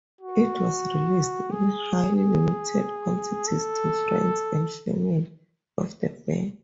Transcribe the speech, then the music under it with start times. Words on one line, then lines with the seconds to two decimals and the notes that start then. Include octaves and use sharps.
It was released in highly limited quantities to friends and family of the band.
0.21 F#4
1.51 G#4
2.16 G#4
3.47 A4